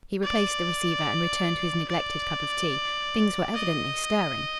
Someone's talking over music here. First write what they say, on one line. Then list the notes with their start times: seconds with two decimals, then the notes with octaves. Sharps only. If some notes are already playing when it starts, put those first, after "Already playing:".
He replaced the receiver and returned to his neglected cup of tea. Things were evidently stirring.
0.23 D5
1.88 D5
3.55 D#5